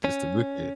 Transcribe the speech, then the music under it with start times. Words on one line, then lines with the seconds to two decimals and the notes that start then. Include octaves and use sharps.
just to look at.
0.04 C#4